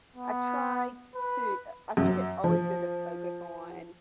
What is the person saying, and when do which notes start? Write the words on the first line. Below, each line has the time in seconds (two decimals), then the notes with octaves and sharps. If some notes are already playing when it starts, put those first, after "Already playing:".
I try to uh, I think it's always good to focus on
0.16 B3
1.15 B4
1.97 F#2
2.44 F3